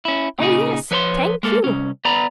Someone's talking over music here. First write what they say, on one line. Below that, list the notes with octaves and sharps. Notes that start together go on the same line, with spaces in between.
Oh yes--thank you.
C#4 E4
A#2 C#3 D#4 G#4
F3 B4 C#5 A#5 C6
G#3 A#3 A4
C2 C#4
B3 D5 A#5 B5